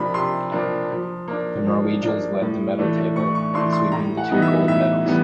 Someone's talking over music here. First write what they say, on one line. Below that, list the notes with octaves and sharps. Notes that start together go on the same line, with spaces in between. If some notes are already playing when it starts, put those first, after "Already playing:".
The Norwegians led the medal table, sweeping the two gold medals.
Already playing: C3 F3 A#3 D4 B5
C3 C6
F3 A#3 D4
F3
A#3 D4
F3
A#3 D4
A2
E3 A3 D4
A2 C#6
C#6
E3 A3 D4 C6
C6
A2 A#5
F#5
E3 G3 B3 D#4
E5
A2 E5
E3 G3 B3